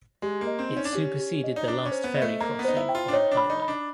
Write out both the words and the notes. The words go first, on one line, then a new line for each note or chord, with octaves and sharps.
It superseded the last ferry crossing on the highway.
G#3 G4
A#3
D#5
C4
D#4
C#4
D4
C#4 G4
G4
D#5
D#4
D4 A#5
C#4
C5
B3
D#5
A3
A#3 A#5
B3
D#4 C5
E4
G5
F4
D4
D#4 C#5
D4
B5
D#4
B5
D4